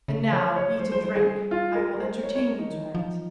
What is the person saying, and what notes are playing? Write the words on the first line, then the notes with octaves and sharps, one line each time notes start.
And now eat and drink; I will entertain you to-night.
C#3
F3 C#5
C#5
G3 C5
C5
C5
G#4
F4
A#4
C5
G#3 C#5
C#5
G3 A#4
D#4
D#3
F3